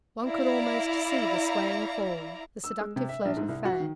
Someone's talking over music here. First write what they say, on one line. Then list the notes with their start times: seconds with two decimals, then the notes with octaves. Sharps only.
One could almost see the swaying form, the seductive flirt of fan.
0.24 E4 D5 F5 A#5
2.64 E6
2.81 G#3
2.96 C3
3.09 E5
3.25 A#1
3.37 G#2
3.49 C2
3.65 F#4
3.80 D#3